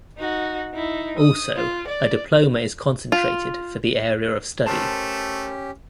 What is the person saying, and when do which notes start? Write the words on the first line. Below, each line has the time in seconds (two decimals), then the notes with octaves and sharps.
Also, a diploma is concentrated for the area of study.
0.18 D#4 F#4
0.74 D#4 E4
1.19 D#6
1.56 F4
1.88 D5
3.12 F4
4.66 A3 C#4 G4 A#4 C5 A5